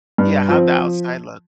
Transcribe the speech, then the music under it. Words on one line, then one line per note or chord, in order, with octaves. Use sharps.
Yeah, how'd the outside look?
G2
F3 C4
F3